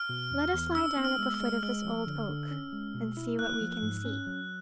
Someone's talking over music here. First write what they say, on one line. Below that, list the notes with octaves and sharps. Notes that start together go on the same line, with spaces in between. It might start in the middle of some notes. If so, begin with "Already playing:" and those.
Let us lie down at the foot of this old oak, and see what we can see.
Already playing: F6
B2
E2
E2
D4 E6
B3
F6
G#3
E6
G#3
G#3 F6
F3
D3
D3
C#4
G#3
B2
E4
A#3 F#6
F3
G#2
C#4
F#3